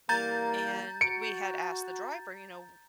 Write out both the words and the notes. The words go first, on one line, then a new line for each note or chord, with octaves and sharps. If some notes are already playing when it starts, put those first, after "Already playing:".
and we had asked the driver, you know,
E3 G3 A#3 A#5 G6 A6
F#4 C#7 D7